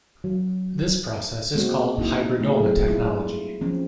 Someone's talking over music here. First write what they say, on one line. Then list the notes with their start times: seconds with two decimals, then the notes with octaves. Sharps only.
This process is called Hybridoma technology.
0.24 F#3
1.55 G#3 A#3 C4 F#4
1.97 A#3 D#4 E4
2.41 A3 C4 G#4
2.60 F#3 E4
2.87 G3 E4 F4
3.61 F3 C4 C#4